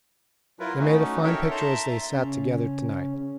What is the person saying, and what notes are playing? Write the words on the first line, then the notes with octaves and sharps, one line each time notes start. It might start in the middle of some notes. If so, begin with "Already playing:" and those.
They made a fine picture as they sat together to-night.
F#3 E4 F4 A#4 B4
A3 C#4 D#4 F#4
D#4 A4 A#4 C#5 E5 G5
E5 A5 A#5 C6
C#3 C#4